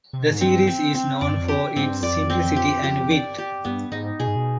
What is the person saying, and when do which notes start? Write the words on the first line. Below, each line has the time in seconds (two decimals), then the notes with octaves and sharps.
The series is known for its simplicity and wit.
0.13 C3
0.23 B2
0.31 G#2
0.40 G2 C4
0.67 C4
0.95 C4
1.21 F2 D5
1.30 G2
1.39 F2
1.48 G4
1.76 G#2 C4
1.90 G2
2.02 F2 D5
2.30 C4
2.56 G4
2.83 G4
3.11 D5
3.38 G4
3.65 G2 B3
3.92 G#2 D#4
4.20 B2 G#4
4.28 G#2
4.36 B2